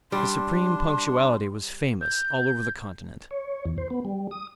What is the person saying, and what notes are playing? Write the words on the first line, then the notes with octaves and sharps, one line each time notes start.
His supreme punctuality was famous all over the continent.
G3 D4 C6
G6
C#5
E2
C5
B3
G3
D#6